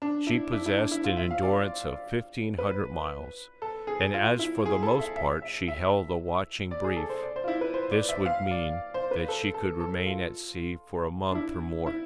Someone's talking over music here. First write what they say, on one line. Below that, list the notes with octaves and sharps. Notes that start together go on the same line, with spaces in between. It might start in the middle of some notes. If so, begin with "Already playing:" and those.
She possessed an endurance of fifteen-hundred miles, and as for the most part she held a watching brief, this would mean that she could remain at sea for a month or more.
D4
E4
E4
E4
D4
E4
F4
E5
F5
D5
B4
A4
G#4
F4
E4
G#4
A4
E5
E5
E5
E5
D5
G#4
A4
C5
D5
C5
F4
E4
B4
C5
D5
E5
F5
D5
C5
B4
A4
A4
A4
F4
D4
E4
E4